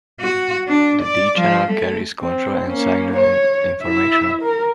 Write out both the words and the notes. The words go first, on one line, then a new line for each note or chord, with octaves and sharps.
The D-channel carries control and signaling information.
F#4
D4
D5
F3
A3
C4
A#3 C#4
C#5
E4 E5
A#4